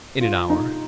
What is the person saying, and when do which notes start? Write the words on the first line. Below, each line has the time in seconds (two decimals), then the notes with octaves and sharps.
"In an hour."
0.21 F4
0.50 D#4